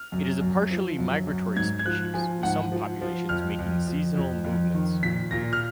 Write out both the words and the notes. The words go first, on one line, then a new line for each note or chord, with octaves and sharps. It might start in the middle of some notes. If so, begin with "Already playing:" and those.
It is a partially migratory species, with some populations making seasonal movements.
Already playing: F6
F#2
F#2
F3
F#2
F#2
G#2 G#6
G#6
F3 F#6
F3 G#5
G#2 F#5
F3
F3
F2 F6
F2
F2
F2
F2
D#3
A#2 B6
A#2 A#6
F6